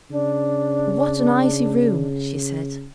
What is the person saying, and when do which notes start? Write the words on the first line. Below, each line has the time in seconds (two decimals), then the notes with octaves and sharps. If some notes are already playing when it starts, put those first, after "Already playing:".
'What an icy room!' she said.
0.10 C#3 D4